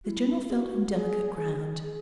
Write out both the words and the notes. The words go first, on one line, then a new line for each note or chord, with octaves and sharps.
The General felt on delicate ground.
F#4
E4
G#4
F#4
G#4
G#4